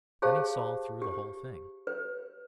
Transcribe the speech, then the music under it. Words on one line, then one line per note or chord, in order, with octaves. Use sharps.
Then he saw through the whole thing.
G4 G#4 C5 F5 A5
G4
B4